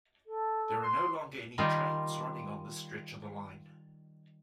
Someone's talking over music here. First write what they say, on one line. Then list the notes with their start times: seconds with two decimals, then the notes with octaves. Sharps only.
There are no longer any trains running on this stretch of the line.
0.26 A4
0.83 C6
1.58 D#3 G3 D#4 F4